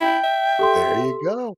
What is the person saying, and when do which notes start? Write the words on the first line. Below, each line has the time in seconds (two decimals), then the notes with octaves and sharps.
There you go.
0.01 E4 G5
0.24 E5
0.59 G4 A4 C6